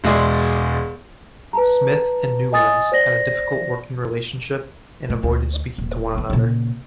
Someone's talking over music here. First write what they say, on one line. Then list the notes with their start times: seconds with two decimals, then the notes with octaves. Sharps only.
Smith and Newlands had a difficult working relationship and avoided speaking to one another.
0.04 E1 G#3 E4 G#4 D5 C6
1.53 B4 A5 A#5
2.53 D#5 G#5 D#6 A6
2.92 C5 D5 A#6
5.10 A3
5.23 D2
5.78 D#1
6.14 C#3 B3
6.30 A#2 C#3